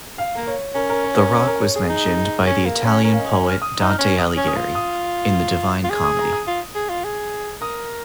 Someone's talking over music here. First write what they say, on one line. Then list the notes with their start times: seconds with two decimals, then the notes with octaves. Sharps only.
The rock was mentioned by the Italian poet Dante Alighieri in the "Divine Comedy".
0.18 F5
0.35 A#3 A#4
0.47 C#5
0.75 C#4 A#4
0.89 A#4
1.04 C#5
1.18 A#4
1.38 C#5
1.47 A#4
1.61 C#5
1.76 G#4
1.89 D#4
2.47 C#4
2.65 A#3
2.85 C#4
3.04 C#4 A#4
3.13 F5
3.18 D#5
3.33 G#5
3.47 F6
3.62 D#6
3.80 D#4
3.90 F6
3.99 C#4
4.19 D#6
4.37 C#4
4.47 D#6
4.56 F4
4.75 D#6
5.84 F4
5.90 G#4
6.03 D#6
6.19 A#5
6.33 D#6
6.47 F4
6.75 G#4
6.89 F4
7.04 G#4
7.61 A#4 D#6